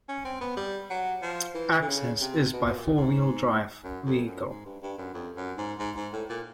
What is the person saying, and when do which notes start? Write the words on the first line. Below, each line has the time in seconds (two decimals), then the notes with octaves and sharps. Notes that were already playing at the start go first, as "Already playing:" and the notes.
Access is by four-wheel drive vehicle.
0.09 C#4
0.25 C4
0.41 B3
0.57 G3
0.90 F#3
1.22 F3
1.55 E3
1.81 D3
1.88 C#3
2.21 C3
2.53 B2
2.66 B2
2.75 A#2
2.97 G#2
3.84 F#2
4.06 F2
4.27 F#2
4.50 G#2
4.66 G2
4.83 G2
4.98 F#2
5.14 F2
5.37 F#2
5.58 G#2
5.79 G#2
5.96 G#2
6.13 A2
6.30 A#2